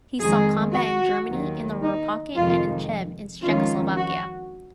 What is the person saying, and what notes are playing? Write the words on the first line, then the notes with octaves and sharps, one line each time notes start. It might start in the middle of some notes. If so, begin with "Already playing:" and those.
He saw combat in Germany in the "Ruhr Pocket" and in Cheb in Czechoslovakia.
F2 D#3 G#3 G#4
F#4
D#2 D#3 F#3
D#4
F2 C3 D#3 G#3 F4
F2 D#3 G#3 C#4 F4
F#4